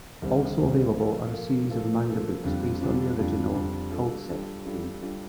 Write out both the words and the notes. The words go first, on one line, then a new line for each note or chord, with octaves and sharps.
Also available are a series of manga books based on the original "Culdcept" game.
C2 C3 D#3 G3 C4
C2 C3 D#3 G3 C4
F3 A#3 F4 A4
F3 A#3 F4 A4
F3 A#3 F4 A4
F3 A#3 F4 A4
F2 D3 G3 D4 F4
F2 D3 G3 D4 F4
F2 D3 G3 D4 F4
F2 D3 G3 D4 F4
G3 D4 F4 A4
G3 D4 F4 A4
G3 D4 F4 A4
G3 D4 F4 A4